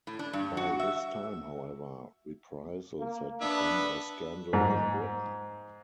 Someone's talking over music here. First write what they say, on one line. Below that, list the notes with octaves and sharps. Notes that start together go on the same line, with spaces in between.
By this time, however, reprisals had become a scandal in Britain.
A2
D4
G2
F#4
E5
A#3
B3 D4 B4 E5
G#2